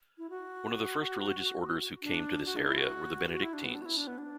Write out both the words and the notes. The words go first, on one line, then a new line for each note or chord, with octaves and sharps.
One of the first religious orders who came to this area were the Benedictines.
E4
F#4
D4
F#4
D4
E4
F#4
F#4
E4
D4
B3
D4
F#4
E4
D4
B3
D4